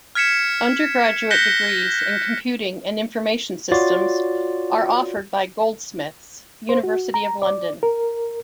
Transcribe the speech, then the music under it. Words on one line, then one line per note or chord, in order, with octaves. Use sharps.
Undergraduate degrees in Computing and Information Systems are offered by Goldsmiths, University of London.
F6 G#6 B6 C#7 E7
F#6 G6 A#6 B6 C#7 G7
F4 F#4 C#5 D5 C6 A6
C5
F#4
A#5
D5
A#4